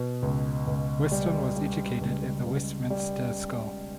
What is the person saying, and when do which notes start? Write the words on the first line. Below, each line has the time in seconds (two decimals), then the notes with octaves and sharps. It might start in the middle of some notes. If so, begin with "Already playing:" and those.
Weston was educated at the Westminster School.
Already playing: B2
0.23 C#2
0.67 C#2
1.11 G3
1.56 G3
2.01 C#2
2.45 C#2
2.90 G3